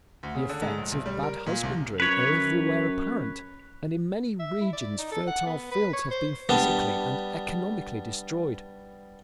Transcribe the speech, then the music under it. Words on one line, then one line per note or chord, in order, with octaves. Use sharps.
The effects of bad husbandry are everywhere apparent, and in many regions fertile fields have been physically and economically destroyed.
D2
C#3
D3
G#2
A#1
B1
G3
A#4
A#2
C2
F#2 B4 C#5
E5
E4
D5
D#4
A4
F#5
B3
B4
C#5
C5
G3 B3 D4